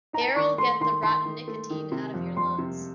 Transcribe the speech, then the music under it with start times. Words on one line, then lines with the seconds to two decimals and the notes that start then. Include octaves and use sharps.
Air'll get the rotten nicotine out of your lungs.
0.13 D#4 A#5
0.21 A5
0.29 A#5
0.36 D#3 C#6
0.58 A3 C6
0.81 D#3 C6
1.03 D#3 C6
1.25 D#3
1.48 A3
1.70 D#3
1.92 C3
2.14 F2
2.37 F2 C6
2.58 C3